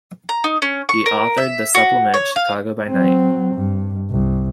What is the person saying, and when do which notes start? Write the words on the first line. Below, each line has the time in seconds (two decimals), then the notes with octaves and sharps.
He authored the supplement "Chicago by Night".
0.29 A#5
0.44 D#4
0.62 C#4
0.89 C#6
1.06 A#4
1.38 E5
1.75 F#4
2.14 C#5
2.36 F5
2.89 F#3 C4
3.55 G2
4.11 C2